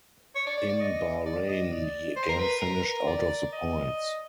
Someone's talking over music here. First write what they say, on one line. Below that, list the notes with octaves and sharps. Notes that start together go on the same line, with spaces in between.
In Bahrain he again finished out of the points.
C#5
D5
D5
D5
D#5
D5
D#5
D5
C5
A#4
B4
A#4
D5
D#5